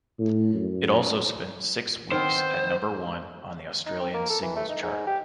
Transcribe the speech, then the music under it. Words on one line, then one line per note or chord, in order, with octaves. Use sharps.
It also spent six weeks at number one on the Australian Singles Chart.
A2
F#2
D#3 B3 C4 C5
D#4
C4
A#3
A4
E3
A3
D#4
G#2
G4